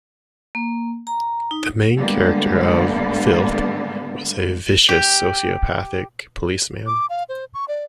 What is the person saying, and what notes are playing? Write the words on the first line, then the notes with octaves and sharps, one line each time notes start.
The main character of "Filth" was a vicious sociopathic policeman.
A#3
A#5
D#4
G#2 D3 G3 A#3 B3
G4
D6
F5
C5
C#6
D5